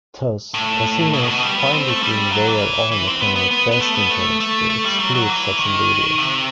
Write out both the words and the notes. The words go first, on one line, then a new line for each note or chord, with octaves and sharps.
Thus, casinos find it in their own economic best interest to exclude such individuals.
A2
B2
A2
B2
G3
B3
C4
A3
G3
F#3
E3
E3
C4
B3
B3
B3
B3
A3
B3
A3
A3
A3
G3
F#3
F#3
E3
D#3
C3